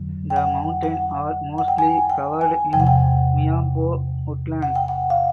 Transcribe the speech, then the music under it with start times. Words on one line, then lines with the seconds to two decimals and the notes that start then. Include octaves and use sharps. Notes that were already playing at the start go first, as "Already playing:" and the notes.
The mountains are mostly covered in miombo woodland.
Already playing: F2 D3 F#3
0.30 G5
0.36 F#5
0.83 F#5
1.58 F#5
1.68 G5
1.78 G#5
2.10 G5
2.41 G#5
2.73 E2 C3 F3 G5
2.80 F#5
2.87 G5
4.62 F#5
4.76 G5
4.88 F#5
5.10 F5